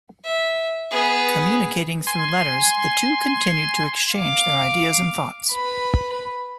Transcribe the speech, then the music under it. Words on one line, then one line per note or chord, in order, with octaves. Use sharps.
Communicating through letters, the two continued to exchange their ideas and thoughts.
E5
B3 G#4
G#5 C6
F5 D6
B4 B5